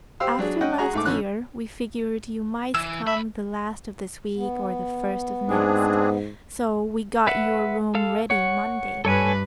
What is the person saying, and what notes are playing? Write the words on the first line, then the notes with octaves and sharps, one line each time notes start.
"After last year, we figured you might come the last of this week or the first of next, so we got your room ready Monday."
G4 C5 F5 E6
F#3 D4 G#4
C#4 D#5 F#5 G5
F#4 G#4 A#5
G#2 A3 D6
F2 D3 C#4 F#6
E3 E6
D#2 E5 B5
B3
G#2 C4 D4 G#4
B4 E5 F#5
A4 F5
C#5 F#5
G2 A4 B4 C#5 G#5